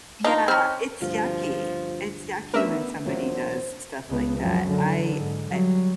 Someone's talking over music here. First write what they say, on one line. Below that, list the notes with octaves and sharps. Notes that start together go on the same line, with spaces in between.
Yeah, it's yucky. It's yucky when somebody does stuff like that. I I
D4 D#4 F4
C4 C#4 F6
D2 G2 F3 F4
A3 B3 C#4 D4 A#4 E5
E2 A#2 F#3 C5
C#2 B3
F#2 F3
D3
G#2
F#3 G3